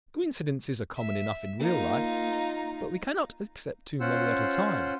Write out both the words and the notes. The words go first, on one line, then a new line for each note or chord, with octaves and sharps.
Coincidences are common enough in real life; but we cannot accept too many at a time.
E5
A#3 D#4 F4
A#5
C#4 F4 C5 F#5 E6